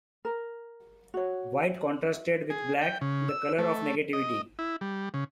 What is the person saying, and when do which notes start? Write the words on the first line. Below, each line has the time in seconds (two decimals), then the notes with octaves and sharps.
White contrasted with black, the color of negativity.
0.25 A#4
1.14 F#4 C#5
2.50 G#4
2.82 G5
3.01 C#3
3.29 E6
3.58 A3
4.13 D#5
4.59 E4
4.81 G3
5.14 C#3